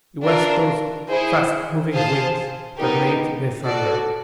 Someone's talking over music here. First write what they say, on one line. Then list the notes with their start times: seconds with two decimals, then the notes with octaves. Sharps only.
It was those fast moving wings that made the thunder.
0.23 D4 F4 A#4
1.08 E4 G#4 C5
1.93 G#4 C5 F5 A5
2.78 B3 D#4 G4 A#4
3.63 F#4 A4 D5